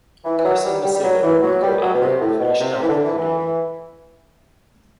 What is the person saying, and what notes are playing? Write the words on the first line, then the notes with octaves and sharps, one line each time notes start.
Carson Macedo and Rico Abreu finished out the podium.
E3
E3
F#3
G3
G3
G3
F#3
E3
F#3
G3
F#3
B2
C3
A2
B2
C3
C3
E3
D3
E3
E3